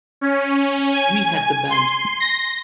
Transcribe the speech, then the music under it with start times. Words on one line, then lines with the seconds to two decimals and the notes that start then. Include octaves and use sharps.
We had the band.
0.21 C#4
0.92 G#5
1.70 C6
2.20 A#6